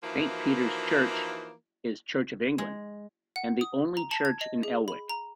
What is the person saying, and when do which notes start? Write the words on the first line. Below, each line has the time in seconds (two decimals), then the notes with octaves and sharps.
Saint Peters church is Church of England and the only church in Elwick.
0.04 E3 F3 A#3 D#4 E4 F#4
2.58 G#3
3.36 F#5
3.61 D#6
3.97 A#5
4.11 A5
4.25 G#6
4.41 D#5
4.63 G#4
4.88 B5
5.10 A#5